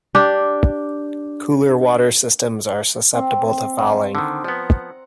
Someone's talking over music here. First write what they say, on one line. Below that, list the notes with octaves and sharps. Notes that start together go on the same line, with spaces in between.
Cooling water systems are susceptible to fouling.
D4 G4
C4
G2
D3 D#3
F3 B3 F#5 A#5